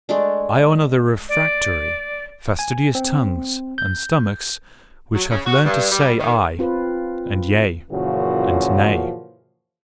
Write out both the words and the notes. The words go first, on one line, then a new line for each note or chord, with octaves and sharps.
I honour the refractory, fastidious tongues and stomachs, which have learned to say "I" and "Yea" and "Nay."
G#3 A3 D4
D5
G#5
C4
G6
F#3
C#3
F#4
G2
G3
D#3
C4 F4 B4
F#2 A#2 C#3 E3 F3 F#4